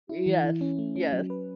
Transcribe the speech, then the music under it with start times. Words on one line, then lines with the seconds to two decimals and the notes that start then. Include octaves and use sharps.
Yes. Yes.
0.09 E4
0.26 E3
0.44 E4
0.61 C#4
0.79 A3
0.96 C#4
1.12 F#3
1.30 B4